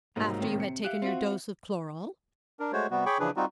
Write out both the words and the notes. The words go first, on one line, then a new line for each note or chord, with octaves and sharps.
"After you had taken your dose of chloral?"
B1 G#2 C3 F#3 A#3 D#4
A2 C3 D#3 A#3
C#7
G4 E5 F5 F#6
C4 F4 F#4
D4 A#4
G#3 A3 F#4 C5 C#5
C3 G3 B3 F#4
G#4 C#5 G5 B5 C#6 D6
C#3 E3 F3 D4 G#4 B4
G3 C4 D#4 F4 F#4